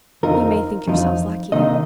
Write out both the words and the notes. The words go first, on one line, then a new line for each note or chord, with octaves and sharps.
'You may think yourselves lucky.'
F2 F3 D#4 A#4
F2 F3 D#4
C3 D#3 A#3 D#4 D#5